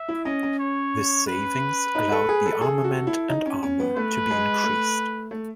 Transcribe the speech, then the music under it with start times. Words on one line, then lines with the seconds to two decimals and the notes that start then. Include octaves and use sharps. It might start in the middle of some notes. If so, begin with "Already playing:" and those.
This savings allowed the armament and armor to be increased.
Already playing: E5
0.08 E4
0.25 C#4 D#5
0.43 C#4
0.60 C#5
1.28 B4
1.95 D#4
2.12 A4
2.29 G#4
2.46 A4
2.61 G#4 A4
2.84 F#4
3.07 E4
3.29 D#4
3.46 C#4
3.63 C#4
3.80 B3
3.97 A3 B4
4.31 G#3
4.64 A3
5.31 A3